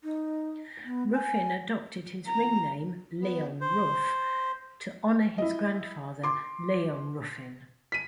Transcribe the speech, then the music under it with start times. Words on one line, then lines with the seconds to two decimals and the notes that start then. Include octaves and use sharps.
Ruffin adopted his ring name "Leon Ruff" to honor his grandfather Leon Ruffin.
0.04 D#4
0.85 B3
1.13 G#5
2.26 A#5
3.21 B3
3.61 C5
5.38 E4 D#5
6.23 C6 D6
7.92 B6 D#7